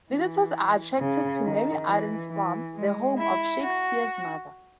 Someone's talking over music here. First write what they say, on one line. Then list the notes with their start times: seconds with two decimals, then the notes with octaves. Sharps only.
Visitors are attracted to Mary Arden's Farm, the home of Shakespeare's mother.
0.13 E3
1.01 C#3
1.44 D#3
1.88 E3
2.31 E3
2.75 G#3
3.19 E4
3.62 F#4